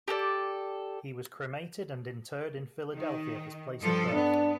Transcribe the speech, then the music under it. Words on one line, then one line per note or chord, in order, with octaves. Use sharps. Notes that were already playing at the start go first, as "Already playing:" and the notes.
He was cremated and interred in Philadelphia, his place of birth.
G4 A4 A#4 D5
D#3
G2 F3 A4
B3 D4